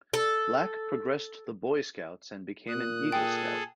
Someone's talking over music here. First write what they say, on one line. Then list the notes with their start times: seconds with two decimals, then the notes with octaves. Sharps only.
Black progressed the Boy Scouts and became an Eagle Scout.
0.14 A4
2.68 A#2 D#6 F#6
3.12 G#4 A4 G5